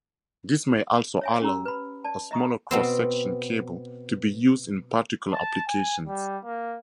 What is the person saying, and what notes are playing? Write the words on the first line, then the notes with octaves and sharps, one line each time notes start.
This may also allow a smaller cross-section cable to be used in particular applications.
C#5 E5 G#5
C#4 G4 A#5 E6
B4 B5
D5 A5
D#5 E5 A#5 C#6 D#6
B2 B3 C4
A5
G#5
G3
A#3